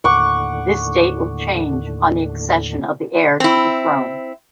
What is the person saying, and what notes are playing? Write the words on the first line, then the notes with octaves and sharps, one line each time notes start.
This date will change on the accession of the heir to the throne.
D#2 A2 D3 F#5 C#6 D6
C4 E4